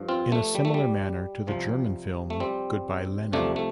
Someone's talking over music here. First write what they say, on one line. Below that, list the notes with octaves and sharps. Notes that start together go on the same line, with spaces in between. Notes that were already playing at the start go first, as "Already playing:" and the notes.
In a similar manner to the German film Good Bye Lenin!
Already playing: G2 F3
C4 F4
A3
G3
A3
G3
C2 C3 F3
A3
G3 C4
C2 C3 F3 A3 D4
A3